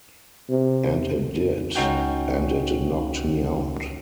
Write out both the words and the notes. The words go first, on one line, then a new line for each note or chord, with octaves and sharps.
And it did, and it knocked me out.
C3
C#2 C#4 D#4 F#4 G5